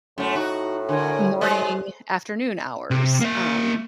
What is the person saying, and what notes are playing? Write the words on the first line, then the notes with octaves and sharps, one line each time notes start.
morning, afternoon hours, um,
F#2 A2 A3
D#4 F#4
D3 A#4 C#5 G#5
G#3 C5 D#5
C3
A#3 E5